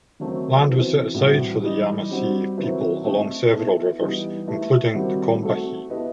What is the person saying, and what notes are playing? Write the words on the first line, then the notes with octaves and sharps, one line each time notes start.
Land was set aside for the Yemassee people along several rivers, including the Combahee.
D#3 F#3 A3 C4
C3 E3 B3 F#4 C5
A2 E3 G3 C4 F#4
E3 G3 D#4 G4 D#5
G3 C4 F#4 C5
D#3 F#3 C4 E4 B4
A3 C4 D#4
B3 E4 A4
E3 G3 B3 D#4 G4
A3 E4 G4 B4
D#3 G3 C4 F#4
A3 C4 F#4 A4
B3 E4 G4 B4 D#5